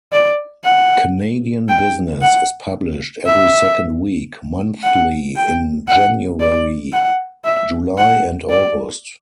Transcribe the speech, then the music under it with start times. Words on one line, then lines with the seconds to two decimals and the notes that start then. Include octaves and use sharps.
"Canadian Business" is published every second week, monthly in January, July and August.
0.12 D5
0.65 F#5
1.69 G5
2.22 F#5
3.26 E5
4.83 F#5
5.36 G5
5.88 F#5
6.40 D5
6.93 F#5
7.44 E5
7.97 F#5
8.50 D5